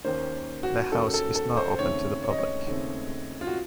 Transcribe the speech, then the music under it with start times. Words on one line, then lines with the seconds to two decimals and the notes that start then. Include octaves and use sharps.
The house is not open to the public.
0.04 D#2 D#3 A#3 C#4 C5
0.63 F#4
0.92 D#2 D#3 A#3 C#4 A4
1.14 A4
1.35 A4
1.57 C5
1.79 D#2 C#3 A3 C4 C#5
2.24 C#5
2.30 D#5
2.39 C#5
2.66 D#2 C#3 A3 C4
3.41 F4
3.47 F#4